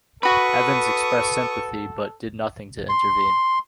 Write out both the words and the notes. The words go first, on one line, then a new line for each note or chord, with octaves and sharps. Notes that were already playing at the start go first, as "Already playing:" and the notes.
Evans expressed sympathy but did nothing to intervene.
F#4 A4 B4 B5 C#6 D#6
C6